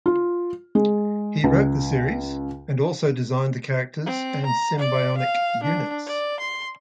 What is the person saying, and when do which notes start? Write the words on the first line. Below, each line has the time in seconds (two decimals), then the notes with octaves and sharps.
He wrote the series and also designed the characters and Sym-Bionic Units.
0.06 F4
0.75 G#3
1.44 C#2
4.06 C4
4.46 A#5
4.79 D5
5.18 F5
5.63 D4
6.07 D5
6.40 C6